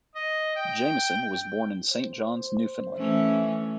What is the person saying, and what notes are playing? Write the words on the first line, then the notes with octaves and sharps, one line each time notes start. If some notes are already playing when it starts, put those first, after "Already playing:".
Jamieson was born in Saint John's Newfoundland.
D#5
G5
C5
E3 A3 C#4